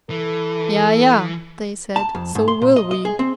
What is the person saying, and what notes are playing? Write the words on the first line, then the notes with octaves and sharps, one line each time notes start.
"Yea, yea," they said, "so will we."
E3 A4
A5
F2
G#2
C6
A#2
D#5
D#5
G#4
C4